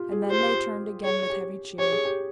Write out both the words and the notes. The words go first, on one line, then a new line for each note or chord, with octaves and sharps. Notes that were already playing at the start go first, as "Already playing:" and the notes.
And then they turned again with heavy cheer.
Already playing: F4 G4
G#4
G4
F4 C5
G4
G#4 C#5
G4
G4 C#5
G#4
G4